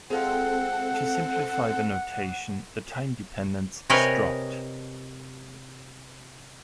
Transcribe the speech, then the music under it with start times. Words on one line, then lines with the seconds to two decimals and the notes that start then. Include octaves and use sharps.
To simplify the notation, the time-dependence is dropped.
0.10 G#3 C4 F4 A4 F#5 G5
3.90 C3 A#4 B4 C#5 D#5 G#5